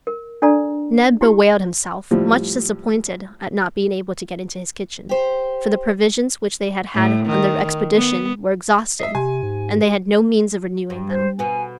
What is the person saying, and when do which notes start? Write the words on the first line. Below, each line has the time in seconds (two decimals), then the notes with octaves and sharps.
Neb bewailed himself, much disappointed at not being able to get into his kitchen, for the provisions which they had had on their expedition were exhausted, and they had no means of renewing them.
0.07 A#4
0.42 D4 A4 D5 A#5
1.21 E4 F#4 G4
2.11 A2 F3 G3
5.09 G4 C5
6.94 A2
7.26 D#3
7.95 B3
9.00 D#5 E5 C7
9.15 C3 G4 G#5
9.43 G#2
10.90 G2
11.10 C5
11.39 B2 B3 G#5